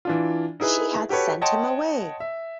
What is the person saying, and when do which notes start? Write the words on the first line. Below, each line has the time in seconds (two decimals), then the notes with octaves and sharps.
She had sent him away!
0.05 E3 D4 F4
0.60 D#4 E4 G#4 B4
1.09 F#4 G4 A4 B4 C#5
1.41 C#5 D#5 F#5 G5 A5 C6
2.20 E5